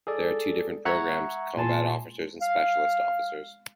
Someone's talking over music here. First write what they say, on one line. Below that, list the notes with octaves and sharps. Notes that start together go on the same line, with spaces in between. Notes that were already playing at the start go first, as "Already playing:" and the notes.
There are two different programs, combat officers and specialist officers.
G#4 A4 D5
E5 F#5 A#5 C#6 F#6 G#6
A#2 G#5 A5 C6
F5